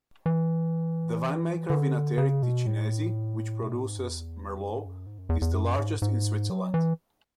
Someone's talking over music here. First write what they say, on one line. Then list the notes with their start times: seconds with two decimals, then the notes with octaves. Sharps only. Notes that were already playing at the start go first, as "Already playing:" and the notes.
The winemaker Vinattieri Ticinesi, which produces merlot, is the largest in Switzerland.
0.26 E3
1.70 D3
2.18 C#3
2.43 B2
2.66 A2
3.62 B2
3.74 A2
3.86 G#2
3.98 F#2
4.09 E2
4.58 F#2
4.72 G#2
4.85 F#2
5.06 G#2
5.18 F#2
5.29 E2
5.42 E2
5.54 F#2
5.78 G#2
6.02 G#2
6.50 F#3
6.74 E3